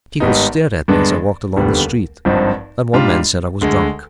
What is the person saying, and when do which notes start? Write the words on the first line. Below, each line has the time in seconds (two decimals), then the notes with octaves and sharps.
People stared at me as I walked along the street, and one man said I was drunk.
0.20 G#1 G#2 G3 B3 D#4
0.88 G2 D3 G#3 B3 D4
1.56 F1 D#2 D3 G3 B3
2.25 G#1 G2 F3 C4 D#4
2.93 G#2 G3 D4 F4
3.61 D2 D3 G#3